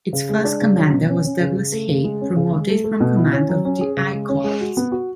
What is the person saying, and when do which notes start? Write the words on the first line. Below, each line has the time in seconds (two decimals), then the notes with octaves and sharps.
Its first commander was Douglas Haig promoted from command of the I Corps.
0.13 C#3
0.29 G#3
0.44 D4
0.61 C#3
0.76 F#3
0.92 B2
1.09 C#4
1.25 C#4
1.40 C#3
1.57 C#3
1.72 A3
1.89 C#3
2.04 G#3
2.21 C#4
2.36 C#3
2.52 G#3
2.69 A3
2.84 A3
3.00 B2
3.16 E4
3.33 C#4
3.49 F#3
3.65 C#4
3.81 G#4
3.97 C#3
4.12 G#3
4.29 C#4
4.44 G#3
4.61 F#4
4.77 B3
4.92 F#4